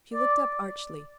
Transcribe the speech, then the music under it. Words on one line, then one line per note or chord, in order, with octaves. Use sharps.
She looked up archly.
D5